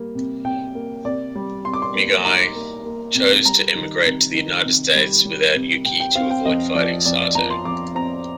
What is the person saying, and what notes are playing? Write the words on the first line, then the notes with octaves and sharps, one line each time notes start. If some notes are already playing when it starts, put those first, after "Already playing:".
Miyagi chose to emigrate to the United States without Yuki, to avoid fighting Sato.
Already playing: G3 A#3
C3
C3 G5
A#3
C3 D5
G3
C3 C6
D6
C6
A#3
D#4 A#5
A#3
A#3
C3
G3 A#5
D#3
C3
D#3
C3
G3
G3
C3
C3 G5
G5
C4 F5
G5
F2 D#5
F3 D5
F2 D5
D5
F3 A#5
C6
F2 D6
C4 A#5